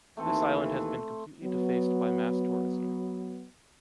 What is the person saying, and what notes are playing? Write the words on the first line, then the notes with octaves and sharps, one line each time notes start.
This island has been completely defaced by mass tourism.
D#2 E3 A3 C4 A4
F#3 B3